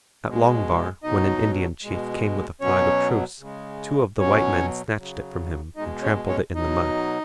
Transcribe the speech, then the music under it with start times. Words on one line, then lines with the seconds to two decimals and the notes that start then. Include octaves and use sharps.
At Long Bar, when an Indian chief came with a flag of truce, two of the white men snatched it from him and trampled it in the mud.
0.25 B2 G#3
1.04 B2 F#3 D#4 D#5
1.83 B2 G#3
2.61 B2 F#3 C#4 C#5
3.40 C#3 G#3
4.19 B2 F#3 C#4 C#5
4.98 C#3 F#3
5.76 B2 G#3 D#4 D#5
6.02 C#4 C#5
6.28 C#4 C#5
6.55 B2 F#3 D#4 D#5